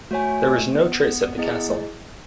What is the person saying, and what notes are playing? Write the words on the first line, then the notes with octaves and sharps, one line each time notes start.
There is no trace of the castle.
A3 F#4 C#5 G#5
B3
B3 E4 G#4 D#5
A3